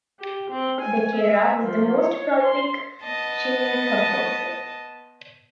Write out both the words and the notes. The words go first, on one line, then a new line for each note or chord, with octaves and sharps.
Becerra was the most prolific Chilean composer.
G4
C4
G#5
E5
F3
C#5
C6
B3 D#5 A5